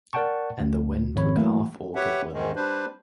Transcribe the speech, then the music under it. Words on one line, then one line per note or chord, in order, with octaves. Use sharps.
And the wind took half orchard with it.
A#4 D5 F#5 G5 A5 C#6
D2
G#1 F2 C#5 B5
E3 F#3 A3 A#3 E4
G4 B4 C#5 E5 F#5
E2 G#2 D#3 G#3
G3 D4 B4 C5